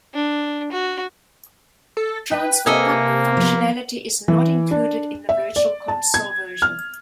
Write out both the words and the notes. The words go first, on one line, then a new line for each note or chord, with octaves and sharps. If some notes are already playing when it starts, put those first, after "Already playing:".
Transfer Pak functionality is not included in the Virtual Console version.
D4
F#4
A4
B4 G5
C3 A#3 A4 B4 D#5 G#5
F3 B3
E3
D4
E5
D5
A5
G#6
F6